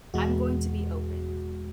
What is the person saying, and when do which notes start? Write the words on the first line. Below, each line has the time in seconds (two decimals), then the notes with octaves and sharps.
I'm going to be open.
0.14 E2 B2 G#3 F#4